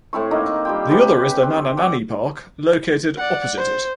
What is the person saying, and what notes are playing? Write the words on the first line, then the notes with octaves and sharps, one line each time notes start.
The other is the Nana Nani Park, located opposite it.
A2 C4 E4 C#6
D#3 A#3 D#4
G3 F4 G5
C#3 B3 G4 B4
C4
D5 F#5 D6
D5 F#5
C5